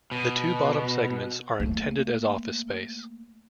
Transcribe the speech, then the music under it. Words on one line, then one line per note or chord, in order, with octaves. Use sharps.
The two bottom segments are intended as office space.
B2
A3 A#3